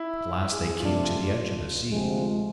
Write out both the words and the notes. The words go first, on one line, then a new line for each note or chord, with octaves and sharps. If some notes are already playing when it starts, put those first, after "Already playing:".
At last they came to the edge of the sea.
Already playing: E4
G#4
F2 C3 F3 A3 D4 F4
D2 C3 F3 G#3